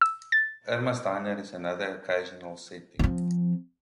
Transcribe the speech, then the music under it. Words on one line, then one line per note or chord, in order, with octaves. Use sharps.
Irma's Diner is another occasional setting.
E6
A6
F3 C4